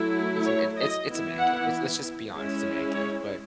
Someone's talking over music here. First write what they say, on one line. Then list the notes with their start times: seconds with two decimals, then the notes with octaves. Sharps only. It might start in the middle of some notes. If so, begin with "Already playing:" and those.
It's a m it it's it's a man cave. Let's let's, just, be honest. It's a man cave, but
Already playing: F#3 A3 E4
0.45 C#5
0.76 D#5
1.08 E3 B3 E4
1.39 F#5
2.32 G#3 C#4 E4
2.95 C#5